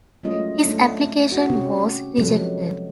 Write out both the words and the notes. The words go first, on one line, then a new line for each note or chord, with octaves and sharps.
His application was rejected.
F#3 G#3 A3 C#4 F4 D#5
A3 D4
F#4 G#4
C3 C#4 G4
C3 F3 F#3 G#3 A4 B4